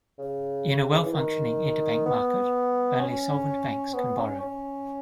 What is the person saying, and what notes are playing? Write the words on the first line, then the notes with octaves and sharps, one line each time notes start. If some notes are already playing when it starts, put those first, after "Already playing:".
In a well-functioning interbank market only solvent banks can borrow.
C#3
E3
D#3
B3
C#4
B3
C#4
C#4